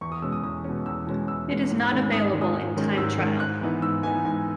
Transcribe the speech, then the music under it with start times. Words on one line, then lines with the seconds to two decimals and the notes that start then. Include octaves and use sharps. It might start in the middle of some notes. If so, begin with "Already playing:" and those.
It is not available in Time Trial.
0.01 E2 C#6
0.12 D#6
0.22 B2 G#3 C#4 E6
0.32 D#6
0.43 E2 D#6
0.64 B2 G#3 C#4
0.86 E2 E6
1.07 B2 G#3 C#4
1.28 E2 E6
1.49 B2 G#3 C#4
1.71 G#2
1.92 D#3 G#3 C#4
2.13 G#2 D#6
2.34 D#3 G#3 C#4
2.41 D#6
2.55 G#2
2.77 D#3 G#3 C#4
2.97 G#2 E6
3.18 D#3 G#3 C#4
3.40 G#2 F#6
3.61 E3 B3 D#4
3.82 G#2 E6
4.03 E3 B3 D#4 G#5
4.25 G#2 G#5